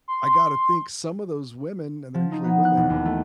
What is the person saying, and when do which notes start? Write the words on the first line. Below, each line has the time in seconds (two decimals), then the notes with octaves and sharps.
I gotta think some of those women, and they're usually women,
0.08 C6
2.14 F3
2.32 D#4
2.44 B3
2.65 F#6
2.77 E1
2.90 D#2
3.05 A3